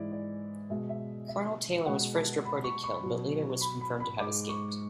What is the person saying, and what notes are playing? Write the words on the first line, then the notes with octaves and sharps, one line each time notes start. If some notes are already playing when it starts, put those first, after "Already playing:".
Colonel Taylor was first reported killed, but later was confirmed to have escaped.
Already playing: G#2 E3 G#3 E4 D5
D5
B2 G#3 E5
E5
E5
B2 G#3 F#5
A5
B5
C#6
C#6
B2 F#3
B5
B5
B5
G#2 G#3 D6
C#6